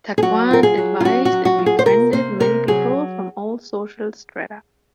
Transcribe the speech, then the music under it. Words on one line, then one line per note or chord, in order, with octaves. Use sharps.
Takuan advised and befriended many people, from all social strata.
G#4
F#3 F#4
F4 A#4
G#4
F#3
F4
C#4 F#4
F#4
F#3
F#4
F4
G#4
C5
C3 A#4
A#3 C5
C3 A#4
F#3 G#4